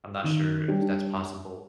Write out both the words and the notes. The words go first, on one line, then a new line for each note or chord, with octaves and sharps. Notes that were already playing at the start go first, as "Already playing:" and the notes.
I'm not sure if that's possible
D#3
G3 D4